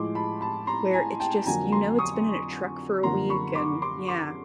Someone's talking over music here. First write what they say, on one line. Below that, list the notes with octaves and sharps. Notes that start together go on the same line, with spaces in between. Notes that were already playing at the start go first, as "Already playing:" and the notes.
where it's just, you know it's been in a truck for a week and yeah.
Already playing: A2 F3 G#3 C6 D6
A5 B5
A5 B5
A#5 C6
G#5 A#5
G5 A5
F2 D3 F#3 A#3 G#5 A#5
A#5 C6
C#6 D#6
F#2 D3 F3 A#3 A#5 C6
B5 C#6
C6 D6
C6 D6
C6 D6